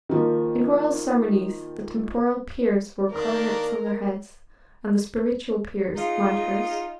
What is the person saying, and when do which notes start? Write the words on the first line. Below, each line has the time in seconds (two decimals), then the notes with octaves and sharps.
In royal ceremonies the temporal peers wore coronets on their heads, and the spiritual peers, mitres.
0.09 D#3 F3 A#3
3.11 D#3 A#3 D4 A#4
5.96 D#4 F4 G#4 D#5